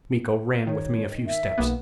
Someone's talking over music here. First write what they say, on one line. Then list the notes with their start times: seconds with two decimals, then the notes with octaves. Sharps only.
Miko ran with me a few steps.
0.67 D#3 C#5
1.27 E5
1.58 B1 A#3 B3